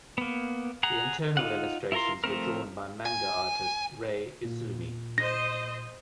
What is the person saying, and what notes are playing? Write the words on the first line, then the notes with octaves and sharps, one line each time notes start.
The internal illustrations were drawn by manga artist Rei Izumi.
A#3 B3
G#4 F#5 A#5
D#4 F4 F#5
E4 F4 A#4 A#5 C6
F3 A3 C4 A#4
G#5
A#2
C5 D#5 A#6